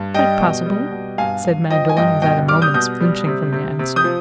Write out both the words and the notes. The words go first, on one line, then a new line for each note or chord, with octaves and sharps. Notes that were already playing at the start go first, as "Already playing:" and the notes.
"Quite possible," said Magdalen, without a moment's flinching from the answer.
Already playing: G2
G3 D#5 G5
B2
G3
B2
G2 F5 G#5
G2
F3 D#5 G5
G#5
G2 D#5 G5
B2 D#5 G5
G3 D6 F6
D#6 G6
B2 D#6 G6
G3
C3
C3
C3
D#6 G6
F3